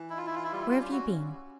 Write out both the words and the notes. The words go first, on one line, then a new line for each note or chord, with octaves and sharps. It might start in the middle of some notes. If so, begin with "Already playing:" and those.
Where have you been?'
Already playing: E3
D#4 E4
F4
E3 E4
F4
E4
G3 F4
E4
C#4 F4
G4
C#4 F#4